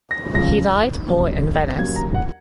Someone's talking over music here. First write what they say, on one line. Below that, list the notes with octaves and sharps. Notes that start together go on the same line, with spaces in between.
He died poor in Venice.
A#6
C#2 C#3 F3 A#6
D#2 C#3 F#3
D#2 C#3 F#3 G#6
A#5
F#5